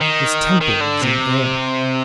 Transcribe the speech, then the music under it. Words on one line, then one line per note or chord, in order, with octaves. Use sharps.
This temple is in air.
D#3
D#3
D3
C3